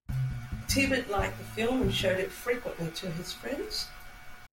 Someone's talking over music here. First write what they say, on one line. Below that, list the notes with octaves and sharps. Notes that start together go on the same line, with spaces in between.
Tibbett liked the film and showed it frequently to his friends.
C3
A#2
A2
G2
F#2
A2
A#2
A2